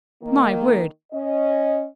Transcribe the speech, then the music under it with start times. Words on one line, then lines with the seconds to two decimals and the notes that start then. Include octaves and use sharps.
My word!
0.22 D#3 A#3
1.13 C#4 D#5